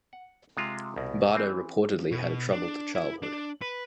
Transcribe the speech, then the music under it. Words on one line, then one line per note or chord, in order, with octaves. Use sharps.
Bardo reportedly had a troubled childhood.
F#5
C3 G#3 F4
C2 B2
E3 C4
B2
D4
E4
D4
B4